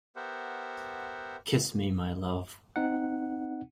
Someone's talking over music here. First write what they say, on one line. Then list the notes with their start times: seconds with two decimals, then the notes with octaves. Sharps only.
Kiss me, my love.
0.16 B3 G4 A#4 C5 E5 F#5
2.76 C4 D#4 F#5